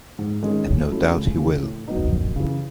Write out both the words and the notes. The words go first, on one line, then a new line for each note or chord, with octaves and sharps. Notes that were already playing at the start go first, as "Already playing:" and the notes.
And no doubt he will.
G#2
D#3 G#3 C#4
A2
F#3 A3 C#4 E4
C#2
C#3 E3 A3 C#4
A2
F#3 B3 D#4
F#2
C#3 E3